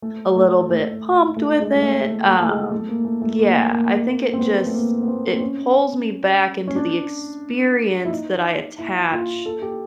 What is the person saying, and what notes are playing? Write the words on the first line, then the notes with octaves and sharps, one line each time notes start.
a little bit pumped with it, um, yeah, I think it just it pulls me back into the experience that I attach
A3
A3
A3
A3
G#3
G#3
A3
A3
A3
A3
G#3
A3
A#3
A3
A3
A#3
A#3
A#3
C4
B3
A3
A#3
B3
C4
C4
C#4
C#4
D4
E4
D#4
E4
F4
A4
G4